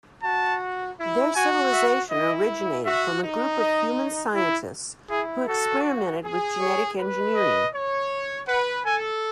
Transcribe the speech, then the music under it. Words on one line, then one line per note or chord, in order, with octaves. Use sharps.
Their civilization originated from a group of human scientists who experimented with genetic engineering.
F#4 A5
E4
F#4 G#5
E5
E4 D#5
F#4 E5
D#4
D#5
E4
E4 G#4
F#4 A4
G#4
C#5
B4
D#5
C#5
B4 F#5
A4 G#5